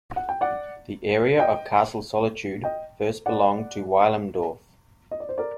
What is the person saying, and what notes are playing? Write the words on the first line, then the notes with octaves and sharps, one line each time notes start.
The area of Castle Solitude first belonged to Weilimdorf.
F#5
G5
D5 F#5
D#5 G5
D#5 G5
D5 F#5
D#5
D5
C5
A#4 D5